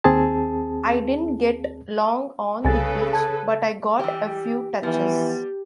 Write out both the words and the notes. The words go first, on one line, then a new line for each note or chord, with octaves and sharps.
I didn't get long on the pitch, but I got a few touches.
D#2 C4 G#4 A5
C2 C#3 A4 B4 G#5 A6
A5 G#6
E3 G3 G4
E3 F3 G3 B3